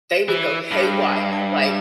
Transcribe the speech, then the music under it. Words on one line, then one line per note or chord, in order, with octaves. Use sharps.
they would go haywire, like,
E3
G2